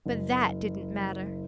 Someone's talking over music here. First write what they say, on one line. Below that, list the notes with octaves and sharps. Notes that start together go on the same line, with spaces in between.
But that didn't matter!
F#1